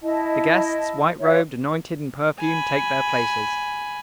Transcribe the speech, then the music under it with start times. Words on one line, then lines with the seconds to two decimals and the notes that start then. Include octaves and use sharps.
The guests, white-robed, anointed and perfumed, take their places.
0.01 E4 D#5 A5
1.20 F4 C#5 E5
2.40 G#5 B5